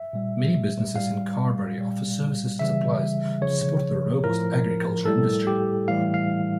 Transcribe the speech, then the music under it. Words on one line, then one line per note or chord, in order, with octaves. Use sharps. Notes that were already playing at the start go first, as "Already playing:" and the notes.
Many businesses in Carberry offer services and supplies to support the robust agriculture industry.
Already playing: E5
A#2 G3
A2 G3 F5
A#2 G3
C#3 E3 G3 E5
C#3 F3 C#5
A2 F3 A#4
A2 G3 A4
G4
A2 E3 G3 F5
F5